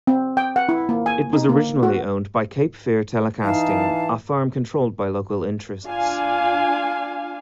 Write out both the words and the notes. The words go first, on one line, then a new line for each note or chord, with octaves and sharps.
It was originally owned by Cape Fear Telecasting, a firm controlled by local interests.
C4
G5
F#5
E4
A#3
G#5
D#4
A#3
F#4
E3 D#4 F5 A5
D4 F4 F5 G#5